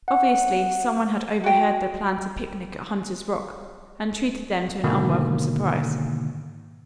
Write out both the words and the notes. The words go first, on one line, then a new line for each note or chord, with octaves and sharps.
Obviously some one had overheard their plan to picnic at Hunter's Rock and treated them to an unwelcome surprise.
F#5
F#4 G5
G#2 B2 D3 D#3 A#3